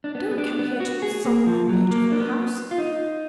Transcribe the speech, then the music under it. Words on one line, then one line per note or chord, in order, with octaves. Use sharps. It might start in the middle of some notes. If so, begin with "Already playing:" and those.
Don't come here to insult my beautiful house.
D4
B3
B3
D4
B3
F#4
G#4
A#3
F3
F#3
A#3
D4
B3
F4
D#4